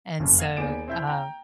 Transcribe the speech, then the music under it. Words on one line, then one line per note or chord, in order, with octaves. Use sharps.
And so, uh,
F#1 F2 C#3
F5 G#6 D#7 E7
D#2 B3 G#4 D5 D7 E7
C4 E4 G6
G5 A#5